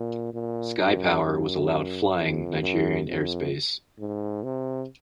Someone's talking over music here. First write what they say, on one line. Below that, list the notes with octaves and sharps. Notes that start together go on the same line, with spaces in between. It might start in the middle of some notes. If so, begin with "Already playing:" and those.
Skypower was allowed flying Nigerian airspace.
Already playing: A#2
A#2
F#2
F#2
F2
F#2
F2
G#2
C3